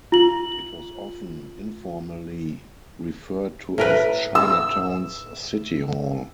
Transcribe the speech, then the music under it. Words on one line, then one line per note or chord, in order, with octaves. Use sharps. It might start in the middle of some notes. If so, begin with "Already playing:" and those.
It was often informally referred to as Chinatown's city hall.
F4 F#7
A2 A#4 B4
E6